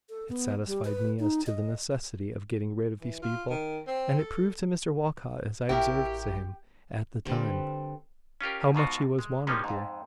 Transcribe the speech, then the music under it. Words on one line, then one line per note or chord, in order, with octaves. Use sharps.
It satisfied me as to the necessity of getting rid of these people; and it proved to Mr Walcot, as I observed to him at the time, how much he was wanted here.
A4
B3
G3
B4
D#4
D#5
E3
F4
D#3
C4
A4
A1 E4 F#4 G4 A#4 G5
D3 G3 C4 B4
C#4 F4 G4 A#4
G#2 B2 F4 F#4
G#3
F3 G3 G#3 A#3 C#4 D#4
F2 G#2